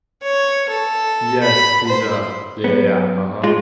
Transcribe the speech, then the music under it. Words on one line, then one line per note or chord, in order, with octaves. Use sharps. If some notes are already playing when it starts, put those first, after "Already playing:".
Yes, he's, uh Yeah, yeah, yeah, uh-huh.
C#5
A4
B5
C5
F#2 B3
G#3 F4